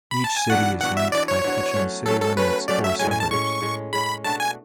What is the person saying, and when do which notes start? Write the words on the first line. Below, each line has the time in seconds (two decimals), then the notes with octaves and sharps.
Each city is linked by touching city limits or suburbs.
0.11 B5
0.24 A5
0.37 G#5
0.50 E3 B3 D4 F#4 F#5
0.81 E3 B3 D4 F#4 F#5
0.97 E5
1.12 E3 B3 D4 F#4 D5
1.28 C#5
1.44 E3 B3 D4 F#4
1.75 F#3 A3 C#4
2.06 F#3 A3 C#4 A4
2.22 A4
2.37 F#3 A3 C#4 B4
2.68 F#3 A3 C#4 D5
2.84 E5
2.99 A2 G#3 C#4 G#5
3.10 G#5
3.20 A5
3.31 A2 G#3 C#4 C#6
3.62 A2 G#3 C#4
3.93 A2 G#3 C#4 B5
4.24 B2 A3 D4 F#4 A5
4.40 G#5